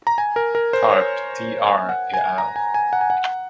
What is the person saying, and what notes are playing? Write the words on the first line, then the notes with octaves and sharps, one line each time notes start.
Karp D. R. et al.
A#5
G#5
A#4
A#4
C5
C#5
G#5
F#5
G#5
A#5
G#5
G#5
F#5
G#5
F#5